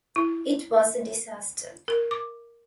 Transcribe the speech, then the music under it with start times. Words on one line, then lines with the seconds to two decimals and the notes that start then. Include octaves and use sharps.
It was a disaster.
0.16 E4
1.88 A#4
2.11 D6